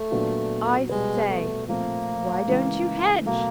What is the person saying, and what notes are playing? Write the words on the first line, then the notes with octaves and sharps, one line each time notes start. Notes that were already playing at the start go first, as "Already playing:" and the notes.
'I say--why don't you hedge?
Already playing: A3
A#2 F#3 B3 D4 F4
B2 G3 G#3 B3
A3
A#2 F3 A3 A#3 C4
C#2 C#3 E3 G#3
B2 F#3 A3 A#3